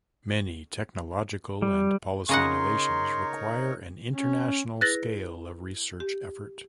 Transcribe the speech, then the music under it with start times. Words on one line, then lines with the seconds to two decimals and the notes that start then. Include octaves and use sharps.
Many technological and policy innovations require an international scale of research effort.
1.62 G3
2.29 C#3 D#4 A#4 C#5 D#5 F#5 C6
4.16 C#4
4.81 E4 G#4 B4 F#6 A6 A#6
6.00 G4